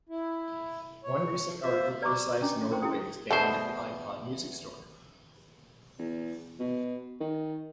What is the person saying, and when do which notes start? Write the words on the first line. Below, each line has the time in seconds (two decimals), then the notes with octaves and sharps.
One recent article criticized Norway's banning of the iPod music store.
0.09 E4
1.04 C#5
1.63 F4 C5 E5
2.02 B4 D5 A#5 B5 C#6 D6
2.42 C#4 D4 D#5 A#5 D6
2.70 E4 A#4 C5 G5 C6
2.82 C#4 E4 F#4 G#4 G5 D#6
3.31 E2 B2 G#3 D4 A4 C5
5.99 E2
6.60 B2
7.21 D#3